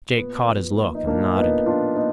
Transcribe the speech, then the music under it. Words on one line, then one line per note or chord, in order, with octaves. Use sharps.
Jake caught his look and nodded.
A#2 B3
F3
A#3
D#4
A#2 A#3 D4
A#2 B3 D#4
F3 D4 F4
A#3 B3 D#4